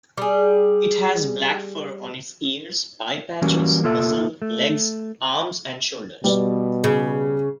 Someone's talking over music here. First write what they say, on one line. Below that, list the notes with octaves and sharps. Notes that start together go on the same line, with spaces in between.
It has black fur on its ears, eye patches, muzzle, legs, arms and shoulders.
G3 G#4
E3 F#3 G3 A#3 C#4 F#4
A#3 F4 A4 E5
A3
B2 G3 B3 D5
C#3